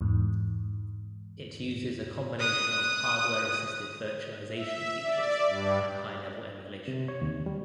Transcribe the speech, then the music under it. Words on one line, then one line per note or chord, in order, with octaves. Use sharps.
It uses a combination of hardware-assisted virtualization features and high-level emulation.
E2 G#2
D#6 F#6
E5
D5
G2
C3
C#5
D#2
G3